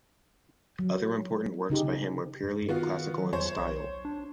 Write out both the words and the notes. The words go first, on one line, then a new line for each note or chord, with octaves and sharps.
Other important works by him were purely classical in style.
F#3
C#3 D#4 G4 G#4
G2
D#3 B3 F4 F#4
F#3
E2 C5 C#5
B1
D4